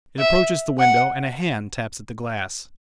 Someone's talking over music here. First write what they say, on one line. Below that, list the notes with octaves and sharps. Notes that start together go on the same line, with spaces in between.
It approaches the window, and a hand taps at the glass.
E5
F#5